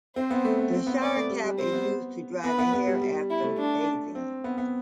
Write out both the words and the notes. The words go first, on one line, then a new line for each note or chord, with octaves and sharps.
The shower cap is used to dry the hair after bathing.
C4 C5
B3
A3
B3
C4
B3
B3 D5
A3
G3
G3
C4 C5
B3
B3 B4
B3
B3
G3
G3
E4
A3
D4
C4
B3
B3